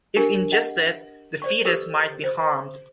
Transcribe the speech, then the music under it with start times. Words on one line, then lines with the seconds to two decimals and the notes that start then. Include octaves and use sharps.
If ingested, the fetus might be harmed.
0.17 D4 G4 A#4 G#5
0.52 D#5 F#5
1.42 C5 D5 C#6
1.65 G4 A4 B4 E6
2.24 C5